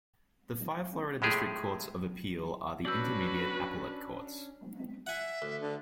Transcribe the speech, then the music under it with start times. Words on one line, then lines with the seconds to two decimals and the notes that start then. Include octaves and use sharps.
The five Florida District Courts of Appeal are the intermediate appellate courts.
1.22 A2 G#3 A3 G4 G#4
2.85 C#4 D4 F#4 B4 D5 E6 G6 F#7
5.07 E5 F#5 G#5
5.42 D2
5.60 D3